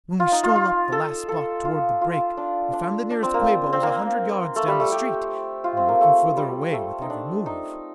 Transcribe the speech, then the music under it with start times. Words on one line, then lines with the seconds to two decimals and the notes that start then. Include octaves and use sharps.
When we stole up the last block toward the break we found the nearest Quabo was a hundred yards down the street--and working further away with every move.
0.20 F4
0.32 D#4
0.43 F4
0.56 F4
0.92 A4
1.29 A4
1.65 F4
2.01 F4
2.37 D4
2.73 D4
3.10 D4
3.23 C4
3.34 A#3
3.73 C4
3.83 A#3
4.56 A3
4.68 G3
4.80 A3
4.92 G4
5.64 F4
5.77 C4
5.88 A#3
6.01 A3
6.37 G3
6.73 A3
7.02 D#4
7.10 D4
7.46 D#4